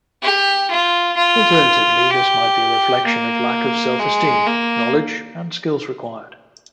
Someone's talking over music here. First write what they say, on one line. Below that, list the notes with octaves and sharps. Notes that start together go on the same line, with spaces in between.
Alternatively this might be a reflection of lack of self-esteem, knowledge and skills required.
G4
F4
F4
G4
A#3
G#3
A#3